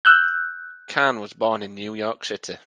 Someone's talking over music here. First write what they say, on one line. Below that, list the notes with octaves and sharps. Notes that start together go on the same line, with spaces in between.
Kahn was born in New York City.
E6 F#6 G6